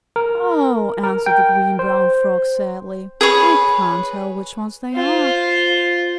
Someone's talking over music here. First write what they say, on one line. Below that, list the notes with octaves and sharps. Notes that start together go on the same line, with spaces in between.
"Oh," answered the Green Brown Frog sadly, "I can't tell which ones they are."
A#4
A#4
G5
C5
G#4 B4 C#5
F4 C5